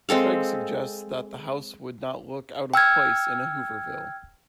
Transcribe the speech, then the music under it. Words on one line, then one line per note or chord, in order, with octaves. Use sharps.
Craig suggests that the House would not look out of place in a Hooverville.
G#3 C4 A4 F5
G5 E6 F6 G#6